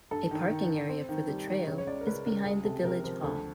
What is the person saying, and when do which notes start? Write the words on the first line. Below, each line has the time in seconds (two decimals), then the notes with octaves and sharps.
A parking area for the trail is behind the Village Hall.
0.11 G2 A4
0.31 D#3
0.51 D#3
0.69 D#3
0.89 C4
1.09 D#3
1.28 G3
1.48 D#3
1.67 C#3 C#5
1.78 C#5
1.87 C#2 D5
2.01 A#4
2.06 C#2 B4
2.26 C#2 A#4
2.45 C#2 G#4
2.65 C3 A4
2.84 C3 A#4
3.04 F3 A#4
3.23 D2 A4